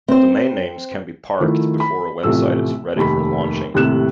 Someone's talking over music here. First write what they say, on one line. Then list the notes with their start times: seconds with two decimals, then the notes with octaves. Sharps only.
Domain names can be parked before a web site is ready for launching.
0.08 C4 C5
1.40 D#3 F3 A3 E4
1.80 B5
2.23 A1 C3 F3 A3 E6
2.96 F1 D#2 B5
3.74 D#2 A2 C3 F#6 E7